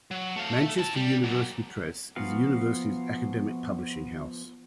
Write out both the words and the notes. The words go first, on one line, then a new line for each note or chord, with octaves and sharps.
Manchester University Press is the university's academic publishing house.
F#3
A3 F5
A3
E4 A5
G3
F#3 A#3
F3 B3 F#4 F5